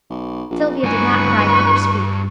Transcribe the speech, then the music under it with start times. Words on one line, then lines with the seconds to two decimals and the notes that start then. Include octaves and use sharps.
Sylvia did not cry out or speak.
0.10 B1
0.50 A#1
0.83 D1 G2 B4 G#5 C#6